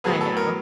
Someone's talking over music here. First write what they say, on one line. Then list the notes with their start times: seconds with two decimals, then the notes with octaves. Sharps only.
I know.
0.04 A2 F#3 B3 G#4
0.21 A4
0.37 A#4